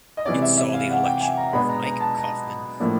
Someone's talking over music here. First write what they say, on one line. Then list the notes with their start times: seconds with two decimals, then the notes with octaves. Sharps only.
It saw the election of Mike Coffman.
0.17 D#5
0.26 C3 E3 G#3 C#4 D5
0.42 E5
0.57 E5
0.73 F5
0.89 F#5
1.05 G5
1.21 G#5
1.37 A#5
1.53 B2 G#3 B3 D4 B5
1.69 A#5
1.85 A#5
2.01 A5
2.17 A#5
2.80 A2 F3 A#3 D4